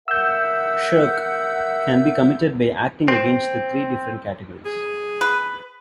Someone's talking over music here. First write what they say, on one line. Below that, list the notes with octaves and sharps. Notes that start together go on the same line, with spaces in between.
"Shirk" can be committed by acting against the three different categories.
A#4 E5 F#5 E6 G6
C4
G#4
B4